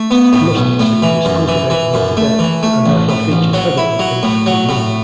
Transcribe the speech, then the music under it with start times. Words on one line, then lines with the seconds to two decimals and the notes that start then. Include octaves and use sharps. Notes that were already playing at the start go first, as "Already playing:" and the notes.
Mustard seed is cultivated in Tibet, and therefore features heavily in its cuisine.
Already playing: A3
0.11 B3
0.33 A2
0.56 B1
0.79 A2
1.02 E3
1.25 F#2
1.48 E3
1.70 E3
1.94 F#2
2.17 A3
2.39 E3
2.63 A3
2.86 A1
3.09 A2
3.32 A1
3.53 F#3
3.78 E4
3.99 F#3
4.23 A2
4.46 F#3
4.69 A2